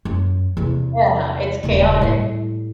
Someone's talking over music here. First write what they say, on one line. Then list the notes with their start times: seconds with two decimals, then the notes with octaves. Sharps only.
yeah, it's chaotic,
0.05 F#2
0.57 E2 C3
1.64 D#1 C#3
2.01 A2 G3